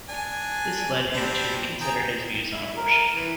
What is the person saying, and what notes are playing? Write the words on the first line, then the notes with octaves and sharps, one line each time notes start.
This led him to reconsider his views on abortion.
D4 G#5
G3 C4 D4
G#4 G5 A#5
E4
A#4
E3